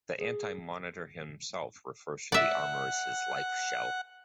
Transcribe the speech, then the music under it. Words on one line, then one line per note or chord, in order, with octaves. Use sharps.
The Anti-Monitor himself refers to the armor as his "Life Shell".
G#4
D5 E5 F#5